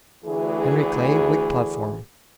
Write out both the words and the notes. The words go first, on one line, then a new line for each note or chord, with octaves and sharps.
Henry Clay, Whig platform.
D2 E3 G#4